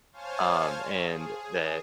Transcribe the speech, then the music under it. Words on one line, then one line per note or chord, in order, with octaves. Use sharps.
um, and the
C5 C#5 F5 G#5 A5 F6
G#4